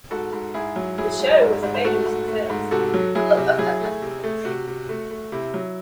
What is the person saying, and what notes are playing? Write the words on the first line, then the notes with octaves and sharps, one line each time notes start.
The show was a major success.
G#2 F#4 A4
G#2
G#2 E4 G#4
F#3
F#3 E4 G#4
G#2
G#2
G#2
C5
A3 F#4 A4
G#2
A3
G#2
C3 F#4 A4
F#3
F#3 E4 G#4
C3
F#3 E4 G#4
A3
C3
A3
C3 F#4
C3
A3
A3
C3 E4
F#3